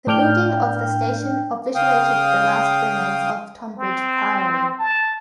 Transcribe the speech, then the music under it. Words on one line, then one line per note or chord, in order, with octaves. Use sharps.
The building of the station obliterated the last remains of Tonbridge Priory.
A2 D4 G5 F6 G6
C#3 F5 G5 D#6
C4
A5